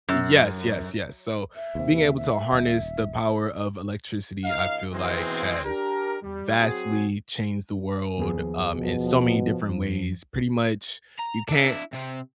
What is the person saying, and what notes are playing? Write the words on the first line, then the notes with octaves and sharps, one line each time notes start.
Yes, yes, yes, so, being able to harness the power of electricity, I feel like, has vastly changed the world, um, in so many different ways. Pretty much, you can't
F#2
E5
D#2 C3
E5
D#1
C#2 D#4 D#5 F5
E2 G#2 B2 E3 G#3 C4
D4 G4 A#4
G3
F#3 C4 F#4 G#4
D#2 F3 B3 G#4
B2
F2
A#5
D4 E4
C3 C4